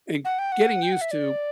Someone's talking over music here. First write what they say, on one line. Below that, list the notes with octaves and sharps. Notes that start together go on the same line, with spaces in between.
and getting used to
F#5
G5
F#5
G5
F#5
E5
D5